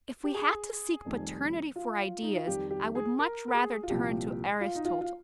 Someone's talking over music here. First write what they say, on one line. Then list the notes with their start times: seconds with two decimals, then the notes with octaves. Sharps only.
If we had to seek paternity for ideas I would much rather turn to Aristotle.
0.24 G4
0.34 G#4
1.05 F1 F2 D#3 G3
1.76 F4
2.22 D#4
2.35 F4
2.47 F2 D#3 G3 G4
2.70 G4
2.95 G#4
3.19 A#4
3.48 A#4
3.54 G#4
3.83 F4
3.89 C2 A#2 F3 G4
4.61 F4
4.75 D#4
4.85 F4
5.01 F4